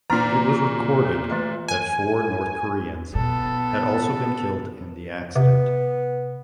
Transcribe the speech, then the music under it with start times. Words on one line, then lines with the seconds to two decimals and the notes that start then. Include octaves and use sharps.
It was recorded that four North Koreans had also been killed in the accident.
0.10 A#2 E3 A#3 D#4 A#5
0.49 F#4
1.05 B3
1.30 E3 A3 D#5
1.68 G#5
3.15 B2 B3 A4
5.36 C3 B3